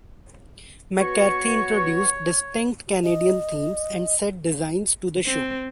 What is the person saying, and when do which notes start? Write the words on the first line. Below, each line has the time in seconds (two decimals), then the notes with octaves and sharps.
McCarthy introduced distinct Canadian themes and set designs to the show.
1.00 B3 F#4 C#5 C#6
3.04 D#5
5.26 C4